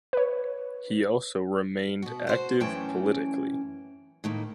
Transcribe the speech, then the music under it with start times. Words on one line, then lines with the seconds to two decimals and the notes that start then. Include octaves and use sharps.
He also remained active politically.
0.13 B4 C#5
2.02 B2 F#4
2.27 F#4 C5
2.60 F#2 E3 A3 C#4 G5 A5
4.24 A2 D#3 A#3